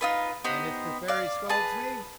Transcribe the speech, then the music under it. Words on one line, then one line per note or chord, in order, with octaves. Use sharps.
"And if the Fairy scolds me?"
D#4 F4 B4
B3 D#4 G4 C5
D5 F5
G#4 B4 A5